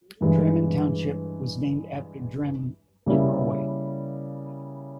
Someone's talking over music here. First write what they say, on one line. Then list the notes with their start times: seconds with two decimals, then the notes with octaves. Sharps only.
Drammen Township was named after Drammen, in Norway.
0.21 G2 E3 G#3
3.06 C#3 G3 A#3 E4